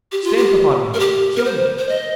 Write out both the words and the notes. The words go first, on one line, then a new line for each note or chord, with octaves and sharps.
'Stamp upon me, kill me!
G4
F4
G4
A#4
G4
A#4
C5
C5
D#5